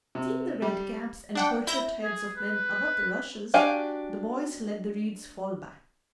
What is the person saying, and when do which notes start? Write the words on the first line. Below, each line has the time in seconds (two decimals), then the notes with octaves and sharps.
Seeing the red caps and kerchiefed heads of men above the rushes, the boys let the reeds fall back.
0.15 C3
0.62 G3
1.35 D4 F#5 G5
1.67 E4 G6 A#6
2.03 G#4
2.37 B4
3.54 D4 F#4 G4 F5 G#5